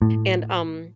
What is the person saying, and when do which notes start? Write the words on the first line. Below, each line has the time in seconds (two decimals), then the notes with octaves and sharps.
and, um
0.02 A2